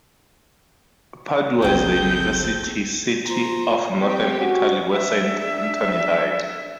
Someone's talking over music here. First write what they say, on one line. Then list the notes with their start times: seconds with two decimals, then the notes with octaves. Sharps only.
Padua is the university city of northern Italy where Saint Anthony died.
1.62 G1 C#2 C4 G#4 A4 G5 G6
3.26 F4 C5 A#5
4.01 C4 G4
4.38 C#4 F#4
4.92 D4 E5